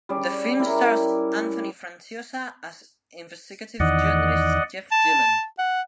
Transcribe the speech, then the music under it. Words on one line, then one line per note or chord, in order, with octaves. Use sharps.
The film stars Anthony Franciosa as investigative journalist Jeff Dillon.
G3 C#4 G#4 D5
E4 G4 A#4
E2 D#3 D5 D#5 F#5
A5
F#5